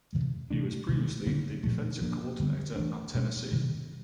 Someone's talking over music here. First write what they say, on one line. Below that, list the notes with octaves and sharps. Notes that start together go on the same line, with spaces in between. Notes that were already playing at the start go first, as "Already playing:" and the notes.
He was previously the defensive coordinator at Tennessee.
C3 E3 G#3
C3 E3 A3 D4
C3 D#3 G#3
D3 G3 A#3 C#4
A#2 F3 A3
F3 A#3 D4
D3 G3 B3
E3 A3 D4
B2 G#3 C#4
C3 D#3 G3